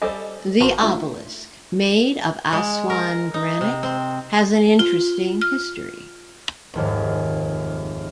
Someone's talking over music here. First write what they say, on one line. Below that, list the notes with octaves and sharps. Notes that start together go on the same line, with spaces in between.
The obelisk, made of Aswan granite, has an interesting history.
G3 A4 C5 D#5 G#5 D6
G#1 D#3 F#4 A5 A#5 C6
A3 D4 F4
G#3
A#4
D#4
C3
C4
F4
F6
F1 D#2 G#2